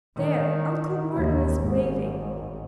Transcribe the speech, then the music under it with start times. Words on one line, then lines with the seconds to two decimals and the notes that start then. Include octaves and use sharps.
There, Uncle Martin is waving.
0.17 D#3
1.15 D#2
1.60 G#1